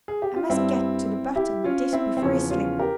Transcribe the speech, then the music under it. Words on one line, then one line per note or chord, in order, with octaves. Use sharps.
'I must get to the bottom of this before I sleep!
G#4
G4
F4
G2 G3 C4 E4
E4 G4
C#4 F4
C4 E4
C4
E2 C#3 F3 C#4
C#4 F4
G4 A#4